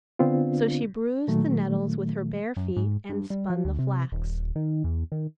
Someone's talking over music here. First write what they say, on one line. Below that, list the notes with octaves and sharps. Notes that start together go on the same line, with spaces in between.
So she bruised the nettles with her bare feet and spun the flax.
D3 B3 C4 D4 F4
A#2 D#3 F#3 A3
F#2
G#2
G2
G3
F3
D2
C3
D#1
D#3
E2
D#3